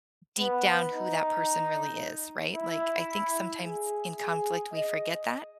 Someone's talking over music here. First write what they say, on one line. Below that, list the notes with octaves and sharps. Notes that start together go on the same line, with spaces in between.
deep down who that person really is, right? Like, I think sometimes in conflict we forget that
B3
D#4
E4
G#4
G#4
D#5